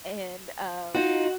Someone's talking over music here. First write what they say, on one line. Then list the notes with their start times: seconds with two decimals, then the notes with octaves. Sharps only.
And, um,
0.95 D#4 F4 F#4